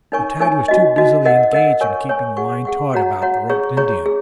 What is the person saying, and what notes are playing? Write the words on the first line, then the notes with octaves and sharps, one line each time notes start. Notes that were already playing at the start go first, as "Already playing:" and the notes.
But Tad was too busily engaged in keeping the line taut about the roped Indian.
D#4 A#4 C#5 G#5 C#6
D#4 A#4 C#5 G#5 C#6
D#4 F#4 D#5
D#4 F#4 D#5
A#4 D#5 F#5
A#4 D#5 F#5
A#4 C#5 G#5 C#6
A#4 C#5 G#5 C#6
G#4 F#5 C#6
G#4 F#5 C#6
F#4 C#5 F#5 A#5
F#4 C#5 F#5 A#5
G#4 C#5 A#5 C#6
G#4 C#5 A#5 C#6
G#4